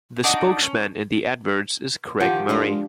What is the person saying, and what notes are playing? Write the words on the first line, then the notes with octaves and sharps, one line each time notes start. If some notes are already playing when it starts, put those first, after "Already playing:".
The spokesman in the adverts is Craig Murray.
D4 D#4 F#4 D6
C#4
D3 D#3 F3 G4 F#5
G#3 D4 F4 A#4